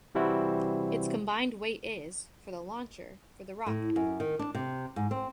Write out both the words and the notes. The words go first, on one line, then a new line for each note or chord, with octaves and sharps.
Its combined weight is - for the launcher, for the rocket.
C3 E3 G3 C4 E4 F#4
A2
F#2
D#3
D4
C3
G#2
C4